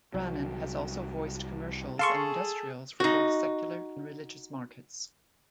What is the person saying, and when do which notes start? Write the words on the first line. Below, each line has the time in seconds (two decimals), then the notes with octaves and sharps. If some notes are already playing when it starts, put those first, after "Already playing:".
Brannan has also voiced commercials and industrials for both secular and religious markets.
0.14 C2 F#3
1.99 G#4 A4 F5 C6 C#6
3.00 D#4 F#4